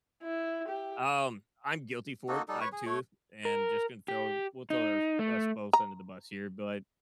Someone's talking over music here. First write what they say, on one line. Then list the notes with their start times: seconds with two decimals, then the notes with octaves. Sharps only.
Um, I'm guilty for it, uh too, and just gonna throw we'll throw us both under the bus here, but, like,
0.23 E4
0.69 G4
2.28 A#3 D#4 F#4 A4
2.48 G3 D#4 A4
2.61 B4 C#5 C#6
2.72 G#4
2.86 A3 C#5
3.45 A#4
4.08 G4
4.70 D#4
5.19 A3
5.73 A#5